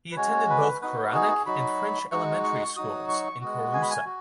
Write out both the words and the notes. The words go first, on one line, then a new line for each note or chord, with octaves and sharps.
He attended both Koranic and French elementary schools in Kouroussa.
B4
G#3 C#4 F#4 C#5
B4
B3 D#4 F#4 B4
G#4
F#3 D#4 F#4 B5
G#3 D#4 F#4 C#6
C#6
F#3 D#4 F#4 D#6
C#6
G#3 B3 F#4
G#5
B5
G#5
F#4